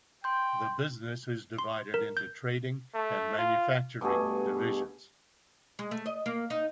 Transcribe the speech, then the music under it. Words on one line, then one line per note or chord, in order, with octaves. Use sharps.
The business is divided into trading and manufacturing divisions.
G5 C6 G6
C6
A#4
G6
A3
F4
G2 B2 A3 G#4
G#3
A3
D#5
A#3
D#4